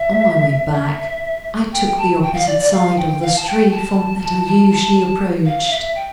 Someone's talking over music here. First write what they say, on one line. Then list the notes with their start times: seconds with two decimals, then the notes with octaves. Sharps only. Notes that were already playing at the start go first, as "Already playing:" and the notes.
On my way back I took the opposite side of the street from that I usually approached.
Already playing: E5
0.73 E5
1.73 G5
1.86 G5
1.98 A5
2.23 G5
2.34 F5
2.47 D5
2.60 D5
2.72 F5
2.97 G5
3.22 F5
3.36 A5
3.47 G5
3.71 A5
4.22 A5
4.46 A5
4.70 A5
5.45 F5
5.70 E5
5.95 G5